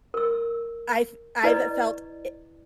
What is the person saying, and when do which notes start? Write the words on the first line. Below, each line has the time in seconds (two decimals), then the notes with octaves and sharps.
I've I've felt, i
0.14 A#4 E6
1.43 E4 B4 D5 D#5